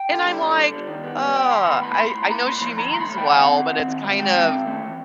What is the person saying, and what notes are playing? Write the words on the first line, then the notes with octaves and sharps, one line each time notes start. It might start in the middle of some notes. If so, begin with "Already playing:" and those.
and I'm like, "Uh," I I know she means well, but it's kind of
Already playing: G5
D3
G3
D3
D3
G3
D#3
B3
G3
D#3 G5
D#3 C6
B3 B5
A2 B5
B5
A2 C6
A2
A#5
A#3 B5
A2 C6
F3 B5
D#3 A#5
A3 C6
B5
A3
G5
D#3 F#5
C4
D#3
C4
D#3
G#3
D#3 G5
C4
D#3
A3
E3